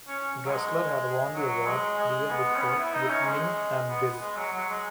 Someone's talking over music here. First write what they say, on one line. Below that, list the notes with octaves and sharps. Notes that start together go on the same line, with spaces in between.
Dressler had won the award the year before with "Min and Bill".
C#4
F#3
G#3
F#3
G#3
G#3
B3
C#4
B3
E4
D#4
C#4
G#3
B3
G#3
F#3
F#3
G#3